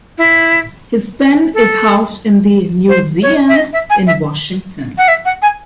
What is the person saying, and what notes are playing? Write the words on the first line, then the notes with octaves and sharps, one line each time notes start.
His pen is housed in the "Newseum" in Washington.
E4
A4
C5
C#5
E5
D#5
E5
G#5
E5
F#5
E5
F#5
G#5